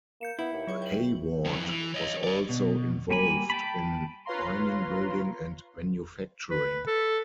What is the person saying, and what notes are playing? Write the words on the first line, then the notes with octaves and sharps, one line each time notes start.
Hayward was also involved in mining, building and manufacturing.
A#3 G6 C#7 E7
B3 E4
D#2
C#2 F#3 C#5 C#6
G5 F#7
F2 E3
E3
C#5 D#5
B4 D5
B2
G3 A#3 G#5 B5
G5 A5 B5
F4 B4 C#5 F5 A#5 C6
B4
A4